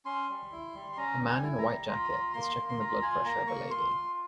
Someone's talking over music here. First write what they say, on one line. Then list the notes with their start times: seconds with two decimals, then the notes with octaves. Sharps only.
A man in a white jacket is checking the blood pressure of a lady.
0.05 C#4 C6
0.29 G3
0.51 E4
0.74 G3
0.93 C6
0.97 C#4 A#5
1.19 G3
1.27 G#5
1.42 E4
1.58 A#5
1.65 G3
1.88 F4 A#5
2.11 F4
2.33 A#3 C6
2.56 A#3
2.69 C6
2.79 F4 A#5
3.02 F4 G#5
3.25 A#3 A#5
3.47 A#3 C#6
3.70 F4 C6
3.93 F4